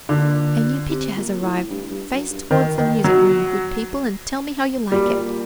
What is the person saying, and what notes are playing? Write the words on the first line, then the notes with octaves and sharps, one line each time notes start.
'A new picture has arrived; face towards the music-room, good people, and tell me how you like it.
A#2 D3
C3
A#2
A2
G2
G2
F#2
G2
D#3
D#3
F#3
A#2 G3